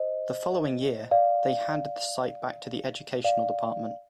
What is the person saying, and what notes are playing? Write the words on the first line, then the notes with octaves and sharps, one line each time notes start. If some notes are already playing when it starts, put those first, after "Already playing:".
The following year, they handed the site back to the Education Department.
Already playing: C5 D#5
D5 F5
D5 F5